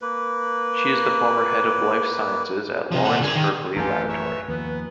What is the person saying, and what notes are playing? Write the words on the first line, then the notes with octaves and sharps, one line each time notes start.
She is the former head of life sciences at Lawrence Berkeley Laboratory.
A#3 B4
C3 F3
A#2 F#5
D3 G#4
D#3
A1 F#2 F4 G4 A4 B4 G#5 A#5
C#5 E5
D#2 F3 B3